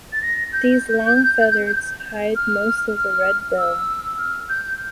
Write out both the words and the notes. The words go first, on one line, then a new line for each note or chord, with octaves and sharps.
These long feathers hide most of the red bill.
A6
A#6
G6
F6
F6
E6
F6
G6